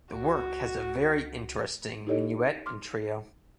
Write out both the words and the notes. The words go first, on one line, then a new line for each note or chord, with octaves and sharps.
The work has a very interesting minuet and trio.
C#2 F#4
D#4 E4 G4 A4 C#5 D#5
C6 D6 F6